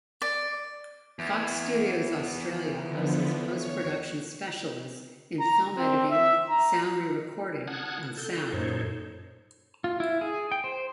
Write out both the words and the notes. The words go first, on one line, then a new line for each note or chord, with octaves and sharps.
Fox Studios Australia houses post-production specialists in film editing, sound re-recording and sound.
D5
E2
D3 F3 B3
C#5
A#5
C4
E5
A#5
F#5 A5 D#6 F6 F#6 G#6
A4 G6
F#2 A#2 D#4 A4 C5 C#5
F4
E4
G#4
G5
C5